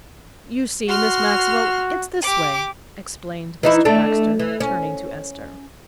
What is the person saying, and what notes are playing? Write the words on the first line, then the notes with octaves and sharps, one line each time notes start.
"You see, Miss Maxwell, it's this way," explained Mr. Baxter, turning to Esther.
F#4 C6 F6
G4 D6
E3 D#4 E4
A3 D4
E3
C#4